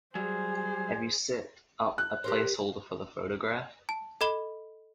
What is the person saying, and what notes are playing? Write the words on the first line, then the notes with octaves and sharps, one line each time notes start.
Have you set up a placeholder for the photograph?
F#3 G3 G#4 C5 G#5
F#6
G4 A#4 C5
A5
A4 D#5 B5 G7